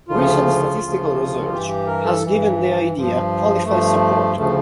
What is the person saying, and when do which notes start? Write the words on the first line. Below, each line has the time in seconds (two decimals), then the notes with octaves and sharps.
Recent statistical research has given the idea qualified support.
0.09 D2 C#3 F3 F4
0.80 D2 C#3 F3
1.51 G2 E3 G4
1.69 G4
1.86 A#4
2.04 A4
2.22 G2 E3
2.93 G2 F3
3.64 G2 F3 A3
4.35 D2 C#3 F3 A3